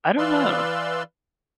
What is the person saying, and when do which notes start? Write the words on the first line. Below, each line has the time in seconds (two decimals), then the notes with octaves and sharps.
I don't know.
0.18 E3 B4 D5 F5 C6 E6